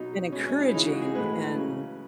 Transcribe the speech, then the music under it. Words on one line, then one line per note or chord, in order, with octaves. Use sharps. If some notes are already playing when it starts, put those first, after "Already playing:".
been encouraging and
Already playing: B2 F#3 D#4
B2 G#3 C#4
C#4
D#4
E4
C#3 E3 G#3 D#4
F#4
G#4
A2 E3 G#3 B4
C#3 F#3